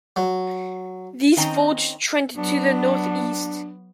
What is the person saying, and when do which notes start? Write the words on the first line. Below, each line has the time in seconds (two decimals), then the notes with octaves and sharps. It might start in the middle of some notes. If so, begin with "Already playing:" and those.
These folds trend to the northeast.
0.16 F#3
1.37 D#3 C4 C#4 D#5 G5 A#5
2.35 F#3 B3 D4